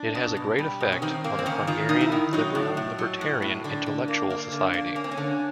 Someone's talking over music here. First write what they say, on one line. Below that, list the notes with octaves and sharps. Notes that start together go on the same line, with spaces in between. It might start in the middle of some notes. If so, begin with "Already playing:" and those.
It has a great effect on the Hungarian liberal-libertarian intellectual society.
Already playing: D4
B2
B2
G3
B2
C#4
D#3 C4
A#3 C4
C4
D#3 C#4
D#3 F4
D#3 D#4
E4
D#3
F#3 D#4
A2
A2
F#3
A2
A2
D3 D4
D3
A#3
A#3
D3
A#3
A#3 C#4
C4
C#4
D3